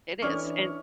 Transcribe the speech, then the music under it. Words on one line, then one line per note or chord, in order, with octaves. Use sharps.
It is, and
E3 C#4 D4 A4 D5 C#6 D6 F6